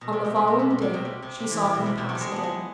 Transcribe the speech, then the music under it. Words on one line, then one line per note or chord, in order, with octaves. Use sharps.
On the following day, she saw him pass again.
B2
C3
B2
C3
B2
C3
B2
C3
B2
C3
C3
C3
E3
C3
B2
C3
B2
C3
A3
G#3
B3
G#3